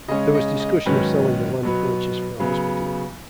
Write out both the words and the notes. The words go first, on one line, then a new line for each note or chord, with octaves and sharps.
There was discussion of selling the land purchased for a hospital.
C#3 G#3 C#4 D#5
D#5
D#5
G#2 D#3 F#3 C#4 B4
B2 F#3 B3
C#3 F#3 B3